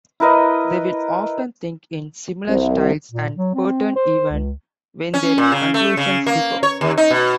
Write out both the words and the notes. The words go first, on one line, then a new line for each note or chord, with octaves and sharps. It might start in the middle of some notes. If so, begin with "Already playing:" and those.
They will often think in similar styles and patterns even when their conclusions differ.
E4 A#4 B4 D#5
C2
A#2
F#3
C4
C5
C#2
C#4
A#2
C#3
A3
C#3
A#3
C#5
D#2
D#4
B2